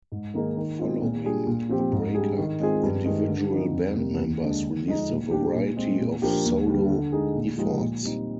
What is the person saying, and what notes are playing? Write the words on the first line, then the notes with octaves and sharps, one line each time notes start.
Following the breakup, individual band members released a variety of solo efforts.
G#2
D#3 A#3 D#4 G#4
D#3
G#3 C4 F4
A#2
G3 D4 F4 G#4
A#2
F3 C4 G4
G#2
G3 D4 G#4
D#3
G#3 C4 F4 G#4
G2
D#3 G#3
D3
F3 C4 D#4
F2
C3 G3 A#3
D#2
D3 G#3 D4
D3
F3 G#3 D#4
A#2
G3 D4 G4
A#2
G#3 C4
A#2
F3 A#3 D4 G4
D#2
D3 G3 D4
D3
G#3 D#4 G#4
A#2
F3 G#3 D#4 G4
A#2
G3 C4 D#4